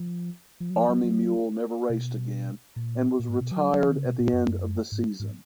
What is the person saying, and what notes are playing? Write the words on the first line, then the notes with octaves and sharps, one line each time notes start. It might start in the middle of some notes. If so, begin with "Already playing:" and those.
Army Mule never raced again and was retired at the end of the season.
Already playing: F3
F3
F#3
F3
F#3
F#3
B2
A#2
A#2
G#2
B2
F#3
F#3
F3
D#3
C#3
B2
A#2
F#2
F#2
G#2
G#2